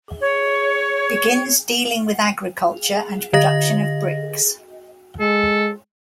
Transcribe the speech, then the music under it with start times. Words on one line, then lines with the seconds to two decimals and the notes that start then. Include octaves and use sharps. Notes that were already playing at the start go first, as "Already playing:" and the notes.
Begins dealing with agriculture and production of bricks.
0.21 C#5
3.33 D3 D#5 A#6
5.20 G#3 A4